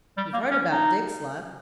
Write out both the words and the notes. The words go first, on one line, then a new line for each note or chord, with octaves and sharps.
You've heard about Dick's luck?'
G3
A#3
C#4
D#4